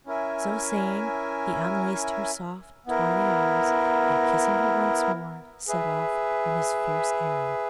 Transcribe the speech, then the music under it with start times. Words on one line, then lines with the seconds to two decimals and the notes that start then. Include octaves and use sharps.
So saying, he unlaced her soft twining arms, and kissing her once more, set off on his fierce errand.
0.06 C#4 E4 A#4 E5 G#5
2.86 B3 E4 A#4
5.68 G#4 B4 E5